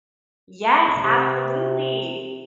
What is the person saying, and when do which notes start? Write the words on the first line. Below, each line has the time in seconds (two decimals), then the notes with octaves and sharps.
Yes, absolutely.
1.03 C3